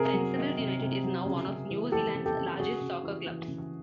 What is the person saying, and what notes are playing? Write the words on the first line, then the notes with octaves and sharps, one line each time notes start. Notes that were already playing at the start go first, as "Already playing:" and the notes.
Fencibles United is now one of New Zealand's largest soccer clubs.
Already playing: C3 G#4 A#4
F#3
D#3
C3
C3
F#3
C#3
C#3
E3
E3 G4 A4
C#3
G4 A4
C#3
C#3 F#4 G#4
C#3
E3
E3
C#3